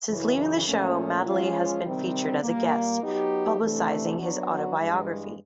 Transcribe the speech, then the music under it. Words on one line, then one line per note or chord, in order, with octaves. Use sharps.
Since leaving the show, Madeley has been featured as a guest, publicising his autobiography.
F#2 C#3 E3
A#2 F3 A3 C#4
F3 G#3 C#4 F4
C3 D#3 G3 C4
A#2 G3 A#3
F#3 B3 D#4 G4
C3 E3 A3 D4
F#3 B3 D4 F#4
G2 E3 G#3